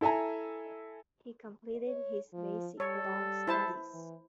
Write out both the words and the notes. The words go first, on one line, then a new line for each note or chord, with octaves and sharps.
He completed his basic law studies.
E4 A4 E5 G#5 A#5
C#5
F3
G3 A4 C#5
E4 C5 A5
E3